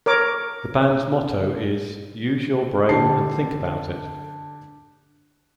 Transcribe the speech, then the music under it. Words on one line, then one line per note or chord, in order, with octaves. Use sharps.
The band's motto is "Use your brain and think about it!".
A#4 C#5 D6
D3 G4 A5 C7